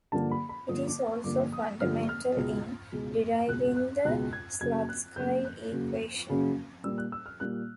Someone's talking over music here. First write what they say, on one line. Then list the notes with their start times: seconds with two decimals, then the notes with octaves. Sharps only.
It is also fundamental in deriving the Slutsky equation.
0.12 G2 D3 F3 A#3 A5
0.31 B5
0.49 B5
0.68 G2 D3 F3 A#3 D#6
0.87 D6
1.05 C#6
1.24 G2 D3 F3 A#3 D6
1.52 D#6
1.81 G2 D3 F3 A#3 F6
2.09 F6
2.36 C#2 B2 G#3
2.92 C#2 B2 G#3
3.48 C#2 B2 G#3 F#6
3.76 F#6
4.05 C#2 B2 G#3 F#6
4.33 G#6
4.61 F#2 C#3 F#3 A#3 G#6
4.89 F#6
5.16 F#2 C#3 F#3 A#3 G6
5.45 F#6
5.72 F#2 C#3 F#3 A#3
6.29 F#2 C#3 F#3 A#3
6.84 A#2 G3 A#3 E6
6.98 F#6
7.12 E6
7.26 F6
7.40 A#2 G3 A#3 F#6